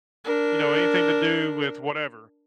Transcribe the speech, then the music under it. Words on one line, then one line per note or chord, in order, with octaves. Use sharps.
you know, “Anything to do with whatever,
D4 A#4